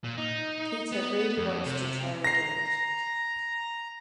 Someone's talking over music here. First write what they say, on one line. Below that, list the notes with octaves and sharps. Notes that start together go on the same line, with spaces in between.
Peter really wants to try again.
A#2
D#4
B3
F2
C3
A#5 A#6 C7